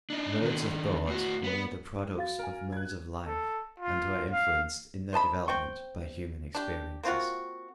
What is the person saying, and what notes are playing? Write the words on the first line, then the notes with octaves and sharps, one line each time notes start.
Modes of thought were the products of modes of life and were influenced in their development by human experiences.
D4 D#4
D#3 D4
A2 F#4
B3
F#4 F5 A6
A#4 G#5
F#6 G#6
A4
F4
F5
C5 D#5 A5 B5
C4 G5 C#6
D4 G4
A#3 C4 F4 F#4